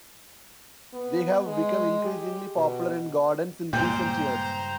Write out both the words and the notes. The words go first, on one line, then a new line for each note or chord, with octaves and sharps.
They have become increasingly popular in gardens in recent years.
B3
G#3
G4
B2
G2 A#2 C#3 G#3 C5 G5 A#5